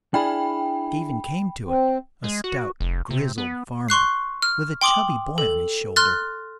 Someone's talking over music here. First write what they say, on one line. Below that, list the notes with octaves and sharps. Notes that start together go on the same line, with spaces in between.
Stephen came to it, a stout grizzled farmer, with a chubby boy on his shoulder.
D4 E4 G#4 G5 B5
C4
G#3
F#4
F1
C3
B3
C6 C#6 F#6 C7
F6
G5 C6 D6 D#6 F#7
A4
C6 F6 F#6 A6